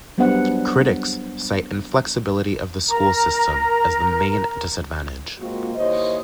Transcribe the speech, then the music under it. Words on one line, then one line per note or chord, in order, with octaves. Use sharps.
Critics cite inflexibility of the school system as the main disadvantage.
F#3 G3 B3 D4 C5 F#5
A#4 A#5
A#2 G#3 A#3 C4 F4 F#4
D#2 E4 C5 C#5 D#5